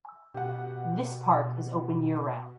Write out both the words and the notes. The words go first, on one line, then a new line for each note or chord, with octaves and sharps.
This park is open year round.
B2 G4 F#5